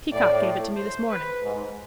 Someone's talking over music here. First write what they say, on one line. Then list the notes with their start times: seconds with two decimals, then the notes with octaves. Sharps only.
Peacock gave it to me this morning.
0.12 A2 D5
0.76 C5
1.10 B4
1.41 G#2